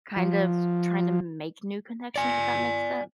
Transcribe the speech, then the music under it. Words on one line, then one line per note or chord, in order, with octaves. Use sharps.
kind of trying to make new connections, if that makes sense,
F3
D5 G#5